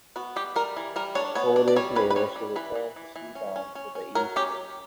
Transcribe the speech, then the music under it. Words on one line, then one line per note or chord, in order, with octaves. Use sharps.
Four days later, she returned to sea bound for the East Coast.
B3 F#4
G3 G4
G3 A#4
E3
G3 A#4
D4 C#5
B3 C#5
D4 D5
D5
G3 C#5
C#4 B4
B4
G3 C#5
G3
E3 B4
E3
E3
E3
C#4
C#4
C#4
C#4
F#3 A#4
C#4 G4